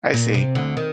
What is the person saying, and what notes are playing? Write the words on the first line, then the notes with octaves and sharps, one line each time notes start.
I see.
A#2
C3
D2 D3
D#3